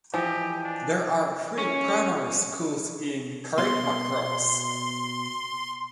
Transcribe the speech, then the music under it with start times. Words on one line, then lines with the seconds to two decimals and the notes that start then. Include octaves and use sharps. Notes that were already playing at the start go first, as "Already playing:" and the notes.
There are three primary schools in Carrickmacross.
0.14 E3 F3 G4 D#5 G#5
0.63 D4
1.58 C#4
3.58 B2 F5 C6